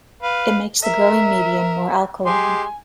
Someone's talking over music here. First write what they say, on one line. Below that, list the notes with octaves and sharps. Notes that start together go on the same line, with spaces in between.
It makes the growing medium more alkaline.
B4 F5
A#4 E5
G#3 G4 G#5 C6